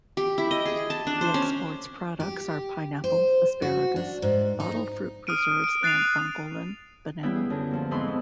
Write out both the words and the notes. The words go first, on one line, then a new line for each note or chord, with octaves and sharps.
The exports products are pineapple, asparagus, bottled fruit preserves, and Bongolan Banana.
G4
E4
D#5
G#4
A5
D4
C5
C#4
G4
C5
F#4
D4
G#2
D#4
D#6 F6 D7 D#7
D7
F#6 A6 C7 D#7 F7
G3 B3 C#4 E4 G5
G#4
F#2 D3
F3 A#3
F2 G#2 D#4 E4 B5 C6
B3